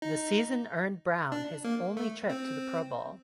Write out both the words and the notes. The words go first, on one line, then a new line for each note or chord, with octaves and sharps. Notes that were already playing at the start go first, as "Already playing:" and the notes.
The season earned Brown his only trip to the Pro Bowl.
D#4
D4
A#3
A3
C4